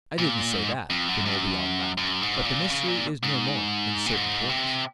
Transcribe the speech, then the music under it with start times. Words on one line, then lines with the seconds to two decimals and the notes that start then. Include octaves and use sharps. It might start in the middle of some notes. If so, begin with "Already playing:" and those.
"I didn't say that," De Morbihan laughed; "but the mystery is no more--in certain quarters."
0.18 A#2
0.53 G#2
0.90 F2
1.08 F#2
1.26 F#2
1.98 F#2
2.22 G#2
2.45 A#2
2.70 C#3
2.88 A#2
3.23 G#2
4.06 A#2
4.14 G#2
4.49 C3